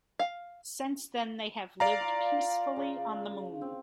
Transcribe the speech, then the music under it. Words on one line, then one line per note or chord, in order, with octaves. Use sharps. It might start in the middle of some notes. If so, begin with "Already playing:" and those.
Since then they have lived peacefully on the Moon.
F5
D5 F5 A#5
F4
C#3
C4